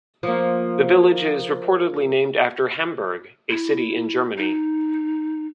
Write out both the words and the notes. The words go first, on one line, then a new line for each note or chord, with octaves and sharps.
The village is reportedly named after Hamburg, a city in Germany.
F3 A#3
E4
D#4